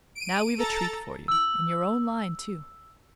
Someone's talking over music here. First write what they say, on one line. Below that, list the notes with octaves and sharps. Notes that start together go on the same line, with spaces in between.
Now we've a treat for you, in your own line, too.
D7 D#7
A4 A#5 A6
E6 F#7